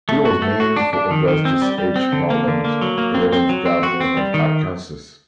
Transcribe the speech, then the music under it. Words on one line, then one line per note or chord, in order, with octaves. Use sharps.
It was named for Augustus H. Garland, eleventh governor of Arkansas.
A3
F#4
A3
F#4
D4
D4
D#3
D#3
C4
G3
G3
C4
D3
A#3
D3
A#3
F#3
A#3
C4
C4
F#3
C4
F#4
C4
G3
D#3